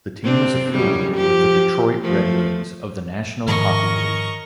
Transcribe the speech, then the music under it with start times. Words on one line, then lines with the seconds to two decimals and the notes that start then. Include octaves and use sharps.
The team was affiliated with the Detroit Red Wings of the National Hockey League.
0.22 C3 C4 D4
0.72 F#2 C#3 G3
1.16 F3 G4
2.02 F3 A3
3.47 G#2 D#3 F3 C#4 A#4 D#5 C#6